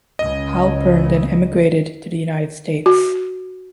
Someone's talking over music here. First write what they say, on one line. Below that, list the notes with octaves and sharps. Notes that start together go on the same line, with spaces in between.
Halpern then emigrated to the United States.
C#2 C#3 D#5
F#4